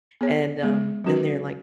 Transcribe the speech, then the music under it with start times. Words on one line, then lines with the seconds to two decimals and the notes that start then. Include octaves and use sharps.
and, um, then they're like
0.21 B3 G#4 C#5
0.63 G#3 B3 G#4
1.04 F#3 C#4 F#4 B4